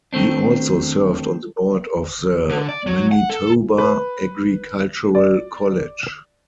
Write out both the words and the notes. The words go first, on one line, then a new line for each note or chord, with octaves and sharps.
He also served on the board of the Manitoba Agricultural College.
D#3 A3 C4 D4
D3
D5
F#3
F#5
A4
B4
D5